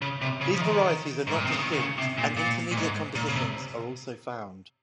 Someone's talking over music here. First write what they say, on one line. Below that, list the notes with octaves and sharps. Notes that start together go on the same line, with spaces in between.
These varieties are not distinct and intermediate compositions are also found.
C#3
C3
C#3
F3
D#3
G#2
A#2
C3
C#3
D#3
D#3
C#3
C3
A#2
A#2
A#2
G#2
A#2
C#3
C3